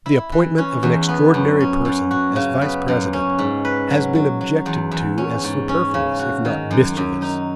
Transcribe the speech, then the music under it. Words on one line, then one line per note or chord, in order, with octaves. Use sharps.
The appointment of an extraordinary person, as Vice-President, has been objected to as superfluous, if not mischievous.
E4
E3
C#4
E2
B3
F#2
C#4
F#2
F#4
C#3
B3
F#2
C#4
G#2
B4
F#3
F#3
F#3
E2
E2
C#4
G#2
C#4
C#3
F#4
D#3
F#2
F#2
D#4